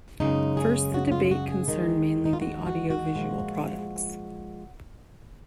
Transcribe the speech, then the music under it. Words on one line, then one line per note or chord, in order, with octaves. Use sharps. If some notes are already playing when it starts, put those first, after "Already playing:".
First the debate concerned mainly the audiovisual products.
F#2 C#3 G#3 D#4
G#4
F#4
F#4
F4
F4
F#4
G#4
D#2 D#3 G#3
D#4
F4
F#4
F#4
F#4
A#2 F3 G#3